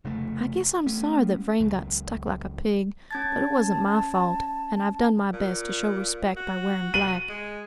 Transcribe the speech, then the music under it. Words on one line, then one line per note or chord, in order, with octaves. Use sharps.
I guess I'm sorry that Vrain got stuck like a pig; but it wasn't my fault, and I've done my best to show respect by wearing black.
F1 C#3 A3
A3 C#4
C#2 F#2
C#4 A5 G#6 A6
A#2
F#4
D#7 F#7
G#3